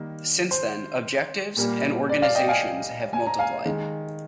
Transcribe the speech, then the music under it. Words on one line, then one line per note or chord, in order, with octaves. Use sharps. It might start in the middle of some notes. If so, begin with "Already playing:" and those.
Since then, objectives, and organizations, have multiplied.
Already playing: D#3 G3 A#3
C5
A#2 G3 A#3
D5
D5 F5
D#5 G5
F5 G#5
G#5
A#5
F5 G#5
D#3 G#3